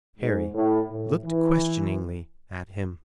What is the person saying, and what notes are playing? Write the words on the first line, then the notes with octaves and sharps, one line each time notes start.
Harry looked questioningly at him.
G#2
A2
A2
E3